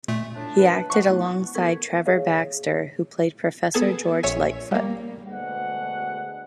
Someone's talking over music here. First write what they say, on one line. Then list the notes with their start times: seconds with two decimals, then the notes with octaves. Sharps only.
He acted alongside Trevor Baxter who played Professor George Litefoot.
0.08 A#2 A3
0.35 A2 D4
0.58 B4
0.90 E3 F3 F#5 C#6
1.09 A3 B3 E4
1.55 B3 A4 A#4 C#6 G#6 B6
2.06 G#4 C#5 E5 F5
3.74 B3 G#4 A4 A5 G#6
4.23 A#1 C#5 E5 G#5
4.71 G3 A#3
5.26 D2 B2 G#3 F#5